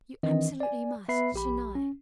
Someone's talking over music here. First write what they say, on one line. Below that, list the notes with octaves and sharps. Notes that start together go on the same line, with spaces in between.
You absolutely must, tonight!
D#3 E3 C4 D4 D#5
D5 G#5
B3 B4 E5 B5 C7
A#1 G4 B5
C#4